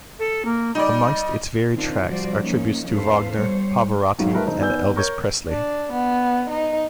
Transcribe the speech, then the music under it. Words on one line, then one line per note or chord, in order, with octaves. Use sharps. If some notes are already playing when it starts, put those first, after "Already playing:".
Amongst its varied tracks are tributes to Wagner, Pavarotti and Elvis Presley.
A4
A#3
G3 D#4 D5
D#3 C4 D4 F4
C3 F3 G3 F#4 C5 D5
F3 A#3 C#4 D#4
E2 G#2 A4 B4 C5 F5
G3 C5 C#5
B1 G#2 D#3 F#3
G3 A3 D#4 A#4 B4 E5
E1 D#4 C5
D#3 B3 D5 G#5 E6 G6
A#4 C#5 C#6 G6 G#6
D4
B3
D#4